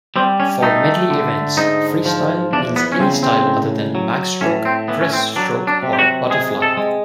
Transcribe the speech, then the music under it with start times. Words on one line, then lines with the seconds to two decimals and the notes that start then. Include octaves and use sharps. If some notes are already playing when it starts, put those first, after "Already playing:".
For medley events, freestyle means any style other than backstroke, breaststroke or butterfly.
0.16 G3 C4
0.40 C#4
0.63 A3 D#4
1.10 D3
1.57 G#2 D#4
2.06 F3
2.53 E2 D4
2.76 B3
2.92 C#4
2.99 C#3 C4
3.23 C4
3.47 A2
3.95 F#3
4.41 A2 C#4
4.65 C4
4.88 E3 B3
5.01 C#4
5.13 C4
5.36 F#3 D4
5.67 D4
5.83 C3
5.93 G4
5.99 F#4
6.30 G#3 G#4
6.62 A4
6.77 G#3